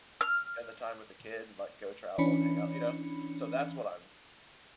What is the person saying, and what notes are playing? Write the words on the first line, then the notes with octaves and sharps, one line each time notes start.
spend the time with the kid, like, go travel and hang out, you know? So that's what I'm
F6
E3 C#4 D4 B5 C#7